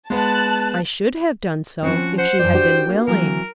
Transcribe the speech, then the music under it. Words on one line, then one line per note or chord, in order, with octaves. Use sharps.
I should have done so, if she had been willing.
G#3 B3 A5 F#6
F3 C4 C#4 F#4
C5 F#5
F#2 D5 G5
D4 F#4 G4
A#3
E3 F#3 C4 A#4